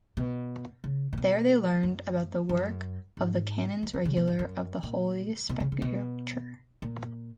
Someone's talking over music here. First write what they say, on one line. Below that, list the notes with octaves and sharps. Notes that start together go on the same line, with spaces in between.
There they learned about the work of the Canons Regular of the Holy Sepulchre.
B2
C#3
A#2
B2
F#2
F#2
G#2
F#2
F#2
C#3
B2
G#2
F#2
A#2
B2
C#3
C#3
B2
A#2